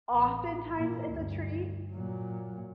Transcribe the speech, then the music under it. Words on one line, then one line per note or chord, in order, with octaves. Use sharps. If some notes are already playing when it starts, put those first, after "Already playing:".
oftentimes, it's a treat,
A1
A#2 A#3
D2 G2
A#2 F#3